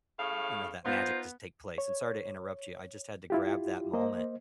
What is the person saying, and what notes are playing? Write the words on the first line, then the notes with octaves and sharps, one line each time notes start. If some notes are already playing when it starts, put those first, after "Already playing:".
you know, that magic to take place, and sorry to interrupt you. I just had to grab that moment.
A2 C#3 F5
B3 D#4 F4 C5
C#5
E4 F4 G4
A#3 C5 D#5